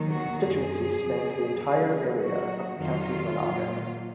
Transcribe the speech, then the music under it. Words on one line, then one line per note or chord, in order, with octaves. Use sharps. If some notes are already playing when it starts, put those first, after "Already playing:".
The constituency spanned the entire area of the County Monaghan.
Already playing: D#2 D#3 F#3
F#4
F#2 F3 G#4
F2 C#3 F#3
D#2 C#3 F#3
A#2 F#3 F#4
F2 D#3 F#3 F4
A#2 F#3